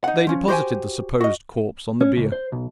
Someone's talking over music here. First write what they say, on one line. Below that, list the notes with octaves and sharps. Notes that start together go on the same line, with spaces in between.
They deposited the supposed corpse on the bier.
D#4 F#5
F3 C#4
F#4 G4 C5 F5 G5 G#5
F#4 D#5
C#4
C#2
C5
B1